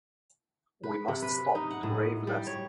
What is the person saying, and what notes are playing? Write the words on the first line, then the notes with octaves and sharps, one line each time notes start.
We must stop to rave less.
B4
C3
B4
D#4
F#5
A2
G3
C#5